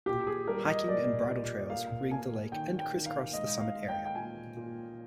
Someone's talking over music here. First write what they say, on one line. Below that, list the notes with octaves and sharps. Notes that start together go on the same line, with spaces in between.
Hiking and bridle trails ring the lake and criss-cross the summit area.
A#2 G4
G#4
G3 A#4
D#5
A#3 D5
A#2
A#3 F5
A#3 G#5
D#3 G5
G5
D#3
F5
G#3 D#5
F5
G#3
G5
G5
A#2 G#5
A#2